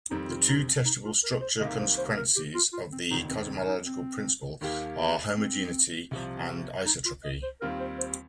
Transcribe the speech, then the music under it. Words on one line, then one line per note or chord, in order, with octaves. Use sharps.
The two testable structural consequences of the cosmological principle are homogeneity and isotropy.
F2 D#3 G3 C4 D#4
F4
D#4
C4
D#4
F4
A#4
C5
C2 C3 D#3 A#3 G4 D#5
C5
C5
A#4
G4
F4
F4
C4
F1 D#2 D#3 D#4
C4
C4
D#4
C4
D#2 D#3 A#3 G4
C4
C2 C3 F3
D#4
F4
D#5
C5
D#2 D#3 G3 C4 F4 A#4
C5
C5